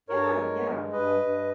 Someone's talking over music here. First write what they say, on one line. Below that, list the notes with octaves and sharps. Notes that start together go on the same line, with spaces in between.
Yeah, yeah,
G2 A#4 C#5
G#3
G2
G2 B4 D#5
G2